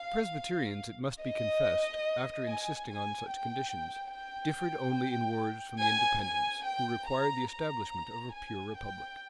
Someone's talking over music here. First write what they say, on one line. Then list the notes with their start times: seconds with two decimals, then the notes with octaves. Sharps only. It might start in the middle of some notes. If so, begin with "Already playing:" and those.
The Presbyterians, it must be confessed, after insisting on such conditions, differed only in words from the Independents, who required the establishment of a pure republic.
Already playing: F5
1.21 D#5
2.47 G#5
2.89 G#5
3.30 G5
4.14 G5
5.82 G#5
6.24 G#5
6.66 G5
7.08 A#5
7.50 A#5
8.34 G#5
8.76 G5